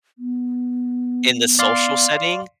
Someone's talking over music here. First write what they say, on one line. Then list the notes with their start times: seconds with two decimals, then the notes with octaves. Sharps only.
in the social setting?
0.18 B3
1.59 D5 F5 C6